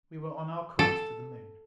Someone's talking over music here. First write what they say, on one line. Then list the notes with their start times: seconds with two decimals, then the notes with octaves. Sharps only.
We were on our course to the Moon.
0.79 A4